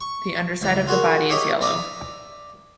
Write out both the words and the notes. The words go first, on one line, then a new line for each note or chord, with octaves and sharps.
The underside of the body is yellow.
C#6
C#2 E3 A#5
F4 F#4 G#4 A#4
E4 G4 G#4 C#5 D#5 F5
D5 E5 A#5 D#6